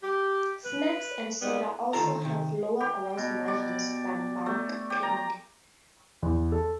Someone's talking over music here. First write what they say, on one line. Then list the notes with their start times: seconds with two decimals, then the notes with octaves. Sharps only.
Snacks and soda also have lower gross margins than bulk candy.
0.03 G4
0.65 B4
1.41 G#2 G3 G#3 B3
1.93 D2 D#3 F4 A4 A#5
2.22 C3 D#3
2.80 G4
3.17 B2
3.48 D5
4.46 A3
4.90 G4
5.03 A#5
6.22 E2
6.52 A4